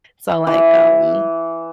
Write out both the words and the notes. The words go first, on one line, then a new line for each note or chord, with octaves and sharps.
So, like, um
E3